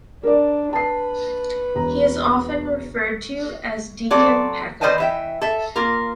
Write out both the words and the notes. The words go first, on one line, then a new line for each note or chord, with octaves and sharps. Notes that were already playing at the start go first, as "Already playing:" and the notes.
He is often referred to as Deacon Peckham.
D4 A#4 D5
B4 A5 C7
E1 A#5
F#3 C4 A4 D5
B4 C5 D5 D#5 G#5 A5
E3 E5 G5
A4 E5
A#3 F4 A#4